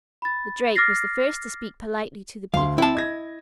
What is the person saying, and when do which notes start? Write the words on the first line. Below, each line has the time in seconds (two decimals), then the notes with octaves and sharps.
The Drake was the first to speak politely to the Peacock.
0.22 B5 A6
0.75 D6 F6 A6 A#6 C7
2.54 D2 F5 C6
2.78 C4 E4 A5
2.95 D#5 G#6 A#6